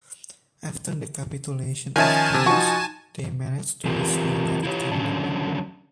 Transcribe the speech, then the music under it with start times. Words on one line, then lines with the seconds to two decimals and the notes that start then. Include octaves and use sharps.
After the capitulation of France, they managed to reach the United Kingdom.
1.96 D#3 F3 C#4 D#5 E5 G#5 A5
2.34 C3
2.46 F3 D#4 F#4 C#6
3.85 E3 C4 F4 G4 A#4
4.63 E4 F4 G4 C#5
4.92 D3 D#3 F#3 C#4 D4